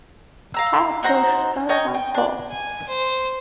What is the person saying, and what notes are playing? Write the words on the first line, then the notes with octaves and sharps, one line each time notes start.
Kyle Busch started on pole.
F5 A#5 E6
D#4 F#4 C5 A#5
C#5 D#5 G5 A#5
G5
D4 D5
G#5
C5